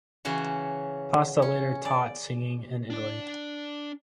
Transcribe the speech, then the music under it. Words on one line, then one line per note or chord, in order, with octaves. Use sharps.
Pasta later taught singing in Italy.
C#3 E3 C#4 F#4
C#4
D5
D4 D5